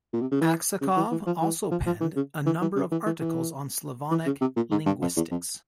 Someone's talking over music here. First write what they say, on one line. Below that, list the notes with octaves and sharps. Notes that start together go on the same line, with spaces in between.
Aksakov also penned a number of articles on Slavonic linguistics.
A#2
C3
C#3
E3
C#3
E3
E3
F3
E3
F3
F3
E3
C#3
E3
E3
C#3
E3
E3
E3
E3
C#3
C3
A#2
G#2
G2
F2
E2
F2